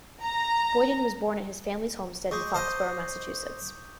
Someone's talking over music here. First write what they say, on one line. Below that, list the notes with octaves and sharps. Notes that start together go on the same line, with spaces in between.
Boyden was born at his family's homestead in Foxboro, Massachusetts.
A#5
G#3 C#6 D6 G6
C5 D#5 D#6 G6